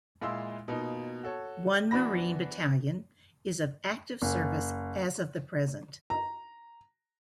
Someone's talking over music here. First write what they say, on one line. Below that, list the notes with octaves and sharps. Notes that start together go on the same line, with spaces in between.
One Marine Battalion is of active service as of the present.
A#2 G#3 E4 F5 C6 E6
B2 A#3 D#4 F4
F#4 A4 C#5
E3 B3 D4 F#4 B5 A#6
F#1
A#5